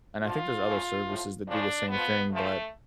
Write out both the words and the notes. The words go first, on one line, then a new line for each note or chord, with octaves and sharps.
and, I think there's other services that do the same thing, but,
D2 D3 F3 F4
D2 C#3 F3
A2 F3
F2 C#3 F3 D4
F2 F3 B3
D2 C#3 F3 A3